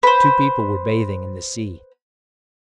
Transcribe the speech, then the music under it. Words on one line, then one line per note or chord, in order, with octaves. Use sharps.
Two people were bathing in the sea.
B4 C5